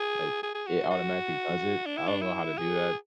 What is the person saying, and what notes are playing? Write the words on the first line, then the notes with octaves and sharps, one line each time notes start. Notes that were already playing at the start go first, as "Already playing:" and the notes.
like, it automatically does it, I don't know how to do that,
Already playing: G#4
G#4
G#4
F#4
F#4
D4
E4
D4
E4
G#4